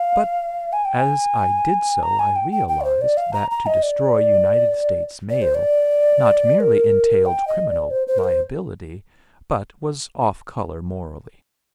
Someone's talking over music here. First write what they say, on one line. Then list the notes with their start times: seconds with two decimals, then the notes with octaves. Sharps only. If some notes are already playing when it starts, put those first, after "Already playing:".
But as I did so I realized that to destroy United States mail not merely entailed criminal liability, but was off color morally.
Already playing: F5
0.73 G#5
0.85 G5
0.98 G#5
2.03 A#5
2.19 G#5
2.36 G5
2.52 G5
2.68 G5
2.81 D5
2.85 C5
3.01 D5
3.17 F5
3.33 A#5
3.51 A#5
3.66 D#5
3.83 D5
5.30 D5
5.42 C5
5.55 D5
6.60 A#4
7.26 G5
7.48 D#5
7.69 D5
7.91 C5
8.07 C5
8.18 A#4
8.24 C5